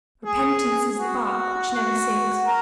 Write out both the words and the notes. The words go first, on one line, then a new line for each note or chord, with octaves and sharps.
Repentance is the bark which never sinks.
G#4
F#4
F#4
A#4